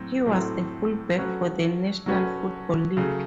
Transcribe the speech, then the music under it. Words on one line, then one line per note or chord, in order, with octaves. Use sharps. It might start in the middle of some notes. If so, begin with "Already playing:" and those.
He was a fullback for the National Football League.
Already playing: A2 F#3 C4
A2 F#3 A3 C4
F#3 A3 C#4 F#4 B4
F#3 A3 C#4 F#4 B4
C#3 F#3 A3